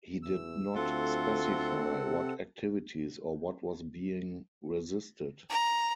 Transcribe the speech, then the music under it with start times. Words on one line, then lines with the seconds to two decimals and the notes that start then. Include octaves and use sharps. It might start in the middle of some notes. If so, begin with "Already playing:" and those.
He did not specify what activities or what was being resisted.
0.23 E2 E6
0.76 D2 C4 F4 A4 F#5
2.00 C3
5.50 A#5